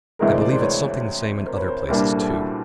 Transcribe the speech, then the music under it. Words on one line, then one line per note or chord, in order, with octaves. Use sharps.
I believe it's something the same in other places too.
D2 C3 E3 G#3 G#4 A#4
C5 D5
C5 D5
C5 D5
B4 C#5
A#4 C5
B4 C#5
A#4 C5
C2 A#2 G3 A#3 D4
C5 D5
G4 A4
A4 B4
E4 F#4